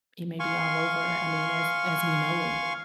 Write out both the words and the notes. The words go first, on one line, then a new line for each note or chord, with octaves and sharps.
it may be all over, I mean, as as we know it.
F5 G#5 C6 C#6